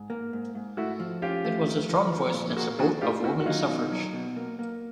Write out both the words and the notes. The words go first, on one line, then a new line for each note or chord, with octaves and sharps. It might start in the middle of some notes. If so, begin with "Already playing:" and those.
It was a strong voice in support of woman's suffrage.
Already playing: G#2
A#3
G#2
G#2
A3 E4 F#4
F3
C#4 F4 G4
A3
F3
F3
F3
A#2
A#3 F#4 G#4
D4 F#4 G#4
A2 F4 G4
A#3 E4 F#4
F#4
F#3 D#4 F4
B2
F#3
B2
A#3
A#3